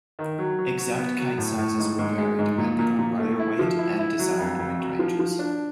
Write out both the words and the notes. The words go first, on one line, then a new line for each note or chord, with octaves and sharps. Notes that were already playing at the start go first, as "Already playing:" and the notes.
Exact kite sizes will vary depending on rider weight and desired wind ranges.
D#3
F#3
F#3
F#3
B3
F#3
A2
A2
G#2
G#2
G#3
G#2
A#2
A#2
A#2
A3
E4
F3
E4
E4
F#3
F2
F2
F#3
F3
F3
D4